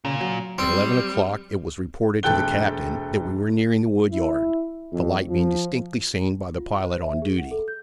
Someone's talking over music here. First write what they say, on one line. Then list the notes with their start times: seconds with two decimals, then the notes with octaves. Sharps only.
At eleven o'clock it was reported to the Captain that we were nearing the woodyard, the light being distinctly seen by the pilot on duty.
0.05 A#2 C#3
0.21 F#3
0.58 G3 C4
2.23 E1 A3 A4 G5 F#6 G7
4.11 E4
4.92 F2
5.30 F3
6.58 F4
6.84 C5
7.03 E5
7.22 G#4
7.38 F#5
7.51 A4
7.68 G6